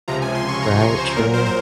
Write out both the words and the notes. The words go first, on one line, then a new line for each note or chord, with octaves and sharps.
Right, true.
C#2 C3 F3 A#5
G#5
C6
C#6
C#2 C3 F3 A#5
G#5
C5
A#1 A#2 F#3 A#4
C5
C5